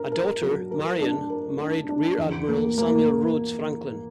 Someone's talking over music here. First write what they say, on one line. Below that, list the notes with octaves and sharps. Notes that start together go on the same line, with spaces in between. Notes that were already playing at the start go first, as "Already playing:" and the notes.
A daughter, Marion, married Rear Admiral Samuel Rhoads Franklin.
Already playing: D4 A#4
A#4
F#3
A#4
D4
A#4
D4
D4
E2
A#3
A#3